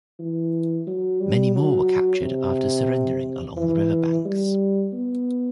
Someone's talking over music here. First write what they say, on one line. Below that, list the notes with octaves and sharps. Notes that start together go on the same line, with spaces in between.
Many more were captured after surrendering along the river banks.
E3
F#3
G3
F#3
C3
E3
G3
B3